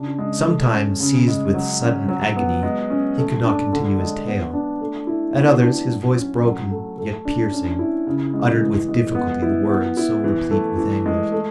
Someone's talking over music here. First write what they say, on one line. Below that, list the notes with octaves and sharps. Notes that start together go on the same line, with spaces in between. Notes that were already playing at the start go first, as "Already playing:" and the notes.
Sometimes, seized with sudden agony, he could not continue his tale; at others, his voice broken, yet piercing, uttered with difficulty the words so replete with anguish.
Already playing: C#3 D4
G#3
A3
C#4
C#3
G#3
F#3
C#4
F#3
B3
G#3
C#4
A3
D4
D3
G#3
B3
D4
A3
E4
B3
D4
F#3
C#4
F#3
A3
A3
D4
C#4
E4
C#3
G#3
E3
G#3
B3
E4
B3
E4
E3
A3
E3
G#3
A3